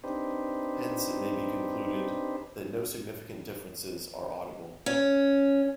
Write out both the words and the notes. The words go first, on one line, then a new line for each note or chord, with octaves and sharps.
Hence it may be concluded that no significant differences are audible.
C4 D4 D#4 G4 B4 C5
C#4